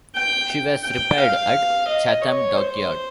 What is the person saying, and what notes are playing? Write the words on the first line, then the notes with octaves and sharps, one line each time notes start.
She was repaired at Chatham Dockyard.
G5
G5
F5
D#5
C#5
C5